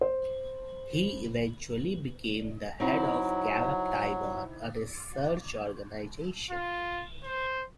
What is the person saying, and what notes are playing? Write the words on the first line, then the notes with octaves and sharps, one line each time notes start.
He eventually became the head of Gallup Taiwan, a research organisation.
C5
F#3 C4 D#4 E4
F4
C5